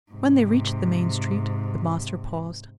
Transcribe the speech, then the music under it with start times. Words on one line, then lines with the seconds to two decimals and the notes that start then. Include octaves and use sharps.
When they reached the main street the master paused.
0.12 G#2 C3